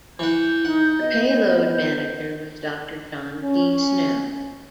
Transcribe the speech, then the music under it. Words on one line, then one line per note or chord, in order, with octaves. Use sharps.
The Payload Manager was Doctor John T. Snow.
E3 F#5 G6
D#4 F#5
B3 D#5
G6
C#4